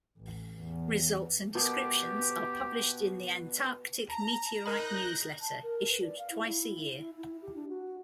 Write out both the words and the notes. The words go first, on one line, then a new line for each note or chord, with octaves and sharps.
Results and descriptions are published in the Antarctic Meteorite Newsletter, issued twice a year.
A1
E2
B2 G4
A5 A#5
D#4 A#4 D#5 A#5 B5 F#6 G6 A#6
A5
A#4
B4
D5
F5
E4
E4
E4
E4
G4
D4
F#4